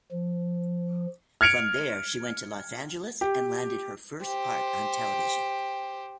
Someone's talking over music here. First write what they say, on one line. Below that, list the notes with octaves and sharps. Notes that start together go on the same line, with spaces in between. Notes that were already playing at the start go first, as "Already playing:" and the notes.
From there she went to Los Angeles and landed her first part on television.
F3
F6 G#6 C#7 D7 F7
G4
G4 C5